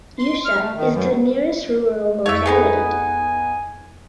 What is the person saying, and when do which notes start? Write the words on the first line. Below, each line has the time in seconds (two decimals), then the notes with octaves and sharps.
Yusha is the nearest rural locality.
0.19 C6
0.45 F6
0.59 A3
0.76 D#3
0.91 F#2
2.26 F2 A3 C#5 E5
2.46 B3 D#4 G#4 A4 G#5 B5